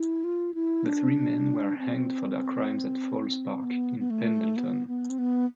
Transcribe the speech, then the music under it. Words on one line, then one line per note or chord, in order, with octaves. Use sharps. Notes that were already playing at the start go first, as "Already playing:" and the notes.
The three men were hanged for their crimes at Falls Park in Pendleton.
Already playing: E4
F4
E4
D4
C4
B3
B3
A3
B3
B3
C4
B3